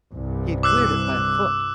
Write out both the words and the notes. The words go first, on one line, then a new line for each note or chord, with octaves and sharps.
He had cleared it by a foot.
C2 G2
D6 E6 F#6